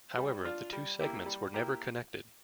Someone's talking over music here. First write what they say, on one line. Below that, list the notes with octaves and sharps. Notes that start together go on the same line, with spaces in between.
However, the two segments were never connected.
G3
D4 F4
G3
A#3 E4 G4
G3
A#3 E4 G4